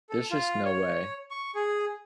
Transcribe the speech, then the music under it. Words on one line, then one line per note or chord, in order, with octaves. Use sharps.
There's just no way.
A4
F4
C#5
C#6
G#4